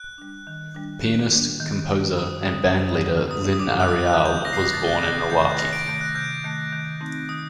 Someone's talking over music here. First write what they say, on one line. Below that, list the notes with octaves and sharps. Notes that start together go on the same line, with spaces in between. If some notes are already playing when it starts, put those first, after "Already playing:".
Pianist, composer, and bandleader Lynne Arriale was born in Milwaukee.
Already playing: F#6
G3 D4
D#3
G3 D4
D#3
G3 D4
D#3
G3 D4
F#2 D#6
D3 G3
F#2
D3 G3
F#2 D#6
D#6
D3 G3 D6
F#6
F#2 D#6
F#6
D3 G3
G6
C3 A#6
C7
A#6
D#3 A3 A6
F#6
C3 F#6
D#3 A3 G6
C3 A#6
D7
D#3 A3 D7
F#6
C3 G6
D#3 A3
D#3
A3 C4 D#4
D#3 D#6